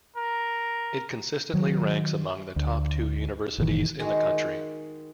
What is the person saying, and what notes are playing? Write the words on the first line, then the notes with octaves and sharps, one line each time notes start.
It consistently ranks among the top two universities in the country.
A#4
D#3 F#3
D2
F#1 A#2 D#3 E3
D#3 G#3 F#4